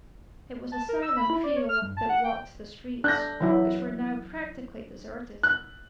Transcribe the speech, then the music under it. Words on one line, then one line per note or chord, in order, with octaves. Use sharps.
It was a silent trio that walked the streets, which were now practically deserted.
A5
A#4
E6
B5
E4
D5
C#5
F6
G2
A5
F#5
G5
D4 F#6 G6 A#6
E3 F#3 E4
F#6